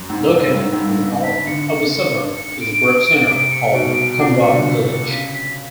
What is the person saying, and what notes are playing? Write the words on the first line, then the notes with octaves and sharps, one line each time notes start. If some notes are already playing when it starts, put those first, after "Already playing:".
Located in the north of the suburb is the group centre called Kambah Village.
Already playing: F#2
G#2 E6
G2
G#2
G#2
G2
G#2
C#3
B6
D3 C#7
C#7
C#7
C#7
D7
C3 D7
C#7
B2 D7
D7
A#2 C7
B2
C3 C#7
D3
C#7
C#7
C#3 B6
B6